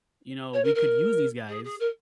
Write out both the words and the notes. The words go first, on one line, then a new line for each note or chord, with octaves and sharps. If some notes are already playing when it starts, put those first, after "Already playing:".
you know, we could use these guys
C#5
A#4
A#4
G#4
G#4
A#4